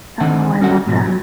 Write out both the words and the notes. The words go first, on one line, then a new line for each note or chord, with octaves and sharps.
Oh, I love that.
D3 D#3 C4 D#4 F#5
C#4 F#4 A4 F#5
G#2 B2 D3 F3
F#3